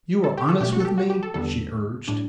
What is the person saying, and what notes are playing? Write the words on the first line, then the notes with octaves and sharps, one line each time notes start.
"You are honest with me?" she urged.
A4
G4
A4
B2 A3 C#4 G4
F#4
A4
G4
F#4
G4
A4
E2 D3 G3 B3 A4
A2 G3 D4